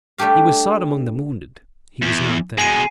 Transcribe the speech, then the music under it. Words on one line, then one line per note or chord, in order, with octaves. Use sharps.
He was sought among the wounded, he was not there.
G3 A3 D4 G4 F5
E2
B2 G#3 G#5 C7 D#7